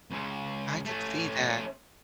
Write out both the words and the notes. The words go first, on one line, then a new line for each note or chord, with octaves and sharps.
I could see that.
C#2 C#3
A3 C#4